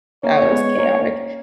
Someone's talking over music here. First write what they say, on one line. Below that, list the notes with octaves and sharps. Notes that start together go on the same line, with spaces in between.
That was chaotic.
A#3 C#4 C#5
C#4
G#3 B3
A#3 C#4